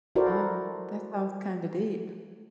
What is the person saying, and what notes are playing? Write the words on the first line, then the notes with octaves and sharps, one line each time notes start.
Oh, that sounds kinda deep.
E4 F#4 A4 A#4 C5 D5